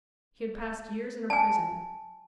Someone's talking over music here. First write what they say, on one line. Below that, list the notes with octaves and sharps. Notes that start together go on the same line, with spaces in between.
He had passed years in a prison.
G#5 A5